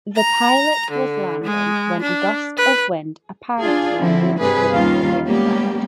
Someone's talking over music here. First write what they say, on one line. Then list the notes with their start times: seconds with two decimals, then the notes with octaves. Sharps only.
The pilot was landing when a gust of wind apparently overtook the aircraft.
0.16 A#5
0.91 D3
1.44 G#3
2.02 D4
2.57 B4
3.59 D4 F4 G#4
3.99 D3 F3 C4 E4
4.39 G2 C3 G3 G#4 B4
4.73 D#2 D#3 G3 C#4 F4 F5
5.27 G3 G#3 A#3 B3 C#4 G4